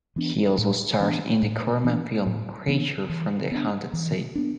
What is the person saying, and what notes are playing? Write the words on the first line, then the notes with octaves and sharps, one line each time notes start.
He also starred in the Corman film "Creature From the Haunted Sea".
E3 B3 D4
A2
E3 B3 D4
A2
E3 B3 D4
A2
E3 B3 D4
E3
B3 D4
E3
B3 D4